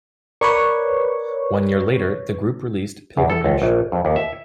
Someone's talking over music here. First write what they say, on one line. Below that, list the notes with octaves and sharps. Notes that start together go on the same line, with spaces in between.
One year later, the group released "Pilgrimage".
A#4 B4 C#5 D5 C#6
E2
A4
C#2
A#1
F2
D#2
E5